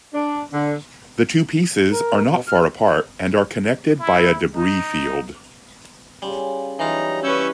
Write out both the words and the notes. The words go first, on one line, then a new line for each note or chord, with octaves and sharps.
The two pieces are not far apart and are connected by a debris field.
D4
D3
A#4
B2
F6
E4
D#4
C#3 G3 F4 G#4
E3 F#3 G3 D#4 F4 A#5
C#4 E4 B4 C#6 E6 G6